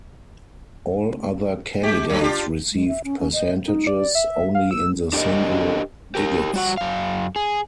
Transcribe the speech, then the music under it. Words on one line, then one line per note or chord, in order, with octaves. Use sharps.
All other candidates received percentages only in the single digits.
G#3 G4
F#2 F#3
D4 F4 G4
G#3
E5
C#4
C#4
D#5
D#4
D5
E5
F5
E6
D4 G4 A4 A#4 D#5
G4 A#4
G3 F#4 F#5
F#2 F5
G#4